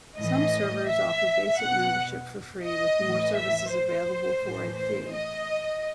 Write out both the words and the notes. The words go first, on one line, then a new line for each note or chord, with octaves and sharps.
Some servers offer basic membership for free, with more services available for a fee.
A2 E3 D#5
E5
B2 F#5
D#5
A2 E3
E5
C5
A2 E3
C5
D#5